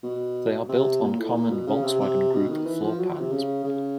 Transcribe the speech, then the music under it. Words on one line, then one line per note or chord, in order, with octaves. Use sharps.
They are built on common Volkswagen Group floorpans.
B2
C3
A#2
A2
A#2
B2
C#3
C3
C3
B2
D#3
E3
F3
F#3
F3
C3
C#3
C#3